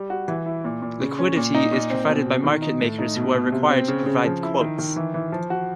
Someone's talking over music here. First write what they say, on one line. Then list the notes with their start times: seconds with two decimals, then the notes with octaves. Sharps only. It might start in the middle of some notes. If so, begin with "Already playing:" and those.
Liquidity is provided by market makers who are required to provide quotes.
Already playing: G3
0.10 F#4
0.28 E3
0.46 E4
0.64 A#2
0.82 A#2
1.00 C#3
1.18 C#4
1.36 A#2
1.54 D#4
1.72 A#2
1.90 C4
2.08 B2
2.26 B2
2.44 D#3
2.62 D#4
2.80 A2
2.99 D#4
3.16 B2
3.34 B2
3.52 C3
3.70 C4
3.88 C#3
4.06 C#3
4.25 F3
4.43 E4
4.61 D#3
4.78 D#3
4.96 E3
5.14 E3
5.32 F3
5.50 F#4